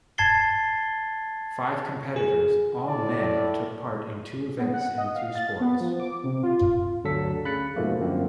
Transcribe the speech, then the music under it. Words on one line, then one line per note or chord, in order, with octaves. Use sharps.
Five competitors, all men, took part in two events in two sports.
A5 G#6 A6 C7 G7
G#4
A2 D5
B3
F#5
D#5
F5
A6
B3
F3
D6
C3
F4
G1 D2 D3 F#3 A4 B6
C#3 B5 F#6 A6 C#7
E2 G#2 B2 F3 A3 A#3
F#2 D3 F3 A#3 C4